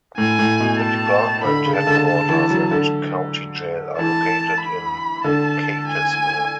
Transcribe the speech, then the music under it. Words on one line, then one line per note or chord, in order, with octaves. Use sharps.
The department headquarters and county jail are located in Keytesville.
A2 G#5
A2
B2
A5
D3 B5
C#3
A5
D3
A5
E3
F#3
D3
E3 A5
B5
D3 A5
G#5